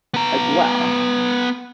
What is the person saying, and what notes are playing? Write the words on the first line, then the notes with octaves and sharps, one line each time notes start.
as well.
B3 A#5